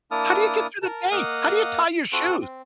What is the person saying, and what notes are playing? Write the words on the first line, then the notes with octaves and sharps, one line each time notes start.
“How do you get through the day? How do you tie your shoes?”
A#3 D4 E4 A5 D#6 F6
A#4 A5
A#3 D#5 F5 F#5 D#6
C4 F4 F#4 A4 F#5
C4